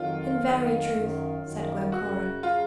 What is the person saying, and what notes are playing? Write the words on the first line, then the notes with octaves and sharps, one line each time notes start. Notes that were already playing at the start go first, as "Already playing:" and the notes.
"In very truth," said Glencora.
Already playing: F2 D#3 F#3 F4
F2 D#3 F#3
F#2 D#3 F#3
F#2 D#3 F#3
F#2 C#3 F#3 F#4
C#3 F#3 F4